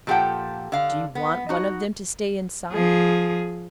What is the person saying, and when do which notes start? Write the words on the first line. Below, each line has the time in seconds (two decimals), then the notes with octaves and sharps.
Do you want one of them to stay inside?
0.07 A#2 F3 G4 A4 F#5 G5
0.72 D3 F5
1.15 B3
1.49 D#4 F#4
2.73 F3 G#4